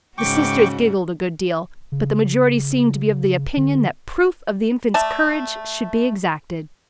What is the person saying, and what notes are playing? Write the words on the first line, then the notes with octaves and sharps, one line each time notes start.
The Sisters giggled a good deal, but the majority seemed to be of the opinion that proof of the Infants' courage should be exacted.
G#2 C#3 F#4 G5 C#6 D6
C#3
D3
A3 D5 A5